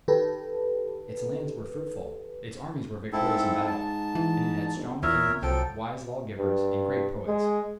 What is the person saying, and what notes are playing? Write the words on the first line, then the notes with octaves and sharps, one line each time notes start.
Its lands were fruitful; its armies were victorious in battle; and it had strong kings, wise lawgivers, and great poets.
D#3 G4 A4 B4
G#2 C4 E4 A4
A5
E3
G1
E2 A#2 A#4 C#5 E5
C2 F3 F#3 A4 G5
G2
G#3